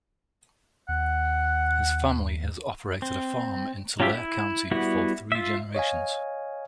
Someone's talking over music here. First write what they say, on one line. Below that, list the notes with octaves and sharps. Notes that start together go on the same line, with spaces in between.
His family has operated a farm in Tulare County for three generations.
D#2 F#5
C4
F#3 C#4 F4 G4 E5
E4
G3 B3 E4 F#4
F4 E5
C#5 D#5 F5 G#5